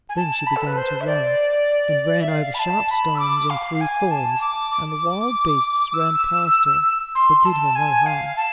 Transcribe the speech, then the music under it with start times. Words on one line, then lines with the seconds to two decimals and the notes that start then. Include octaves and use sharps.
Then she began to run, and ran over sharp stones and through thorns, and the wild beasts ran past her, but did her no harm.
0.09 G#5
0.16 A5
0.47 B5
0.56 A4
0.66 B4
0.77 C5
1.01 E5
1.07 D5
2.20 E5
2.28 F5
2.54 B5
2.59 A5
2.90 B5
3.16 E6
3.19 D6
3.50 F5
3.81 G#5
4.11 A5
4.41 D6
4.71 D6
5.94 E6
7.15 C6
7.45 A5
7.76 G#5
8.06 F5
8.37 A5